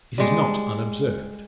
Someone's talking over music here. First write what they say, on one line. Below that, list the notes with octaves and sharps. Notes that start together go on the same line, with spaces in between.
It is not unobserved.
G3 G#3